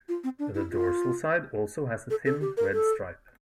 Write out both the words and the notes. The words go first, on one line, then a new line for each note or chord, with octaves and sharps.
The dorsal side also has a thin red stripe.
F4
C4
D4
E4
F4
A4
A4
G4
A#4
A4